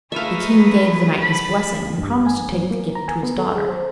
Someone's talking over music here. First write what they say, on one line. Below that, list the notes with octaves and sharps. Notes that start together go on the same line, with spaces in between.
The king gave the knight his blessing, and promised to take the gift to his daughter.
A3 D#4 G#4 B4 E5 F5
A5 B5
G2
G#5
F#3
A#3
A#5
G#5
B3
A4
G#4
C5